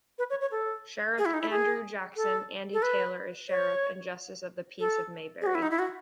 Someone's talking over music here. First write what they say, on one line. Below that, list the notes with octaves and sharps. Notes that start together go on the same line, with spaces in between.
Sheriff Andrew Jackson "Andy" Taylor is Sheriff and Justice of the Peace of Mayberry.
B4
C#5
C#5
A4
G#4
E4
D#4
E4
G#4
A4
A4
B4
C#5
A4
G#4
F#4
E4
D#4
E4
F#4